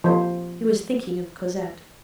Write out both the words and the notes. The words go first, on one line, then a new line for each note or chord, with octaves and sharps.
He was thinking of Cosette.
F3 C5